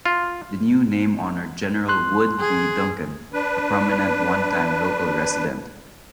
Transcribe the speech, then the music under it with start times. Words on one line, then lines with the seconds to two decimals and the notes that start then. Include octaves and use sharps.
The new name honored General Wood B. Duncan, a prominent onetime local resident.
0.06 F4
1.89 C6 F#6
2.40 G#4
3.33 D4 B4